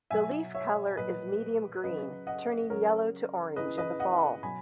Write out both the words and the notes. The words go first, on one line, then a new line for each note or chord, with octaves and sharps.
The leaf color is medium green, turning yellow to orange in the fall.
B2 F#3 E5 G#5
C#5 E5
A#2 F#3 B4 D#5
C#3 F#3 B4 D#5
D#5 F#5
C#3 F#3 A#4 C#5
C#3 E3 B4 D#5
B4 D#5
D#5 F#5
B2 F#3 G#5 B5